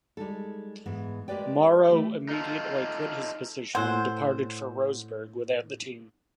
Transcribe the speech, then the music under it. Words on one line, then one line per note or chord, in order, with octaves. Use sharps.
Morrow immediately quit his position and departed for Roseburg without the team.
G3 G#3 D#4 A4
G#2 E3 G#3 B3
G#3 G4 A#4 B4 D5 G5
E3 A3 G4
D#4 F4 A4
A2 C5 F#5 G#5 E6 F#6